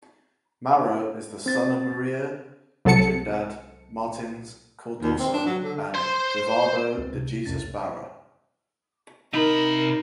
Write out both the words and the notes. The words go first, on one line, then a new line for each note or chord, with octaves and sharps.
Mauro is the son of Maria Trindade Martins Cardoso and Vivaldo de Jesus Barra.
C4 A6
C2 F#3 A4 A5 C#7
D#2
C4
D4
F#3
D3
C5 C6
C#2 C4
C3
C2 F2 C3 C#4 A6
C3 D#4 A#4 B5